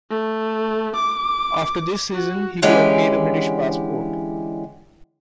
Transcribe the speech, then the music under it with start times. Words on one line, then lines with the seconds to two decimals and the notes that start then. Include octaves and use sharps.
After this season he could obtain a British passport.
0.10 A3
0.96 D6
2.14 F#4
2.62 D3 E3 G#3 C#4 G4 D5